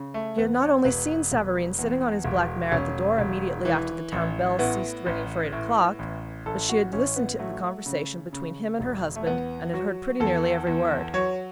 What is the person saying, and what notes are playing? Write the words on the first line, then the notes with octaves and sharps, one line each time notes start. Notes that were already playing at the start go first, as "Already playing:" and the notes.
She had not only seen Savareen sitting on his black mare at the door, immediately after the town bell ceased ringing for eight o'clock; but she had listened to the conversation between him and her husband, and had heard pretty nearly every word.
Already playing: C#3
A3
E2 B3
C#5
E1 B4
E1
E2
E1
E1 C#4
E1
E3
A1
A2 B3
A1
A2
A1
A1 A4
F#4
A1 C#4
B3
F#3 A3
C#3
C#3
E1
A3
E2 B3
F#3 F#4
E2 A4
E2
F#3 C#5